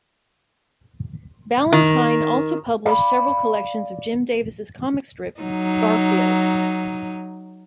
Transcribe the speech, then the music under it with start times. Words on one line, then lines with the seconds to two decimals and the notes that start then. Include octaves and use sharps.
Ballantine also published several collections of Jim Davis' comic strip "Garfield".
1.72 D#3
2.85 D5 F5 A#5 B5
5.41 F#3 D#4